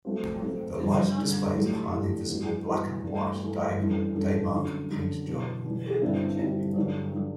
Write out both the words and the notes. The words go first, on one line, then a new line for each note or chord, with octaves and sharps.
The light displays a highly visible black and white diagonal Daymark paint job.
F#3 A3 C4 F#4 C5
F#3 A3 C4 F#4 C5
G2 D3 G3
G2 D3 G3
A2 F#3 A3 D4 G4
A2 F#3 A3 D4 G4
G2 E3 B3 F#4
G2 E3 B3 F#4
G2 E3 A3
G2 E3 A3
F#2 E3 G3 D4 A4
F#2 E3 G3 D4 A4
F#2 D3 F#3
F#2 D3 F#3
E2 B2 F#3
E2 B2 F#3
G2 D3 G3 C4 E4
G2 D3 G3 C4 E4
G2 D3 F#3
D3 F#3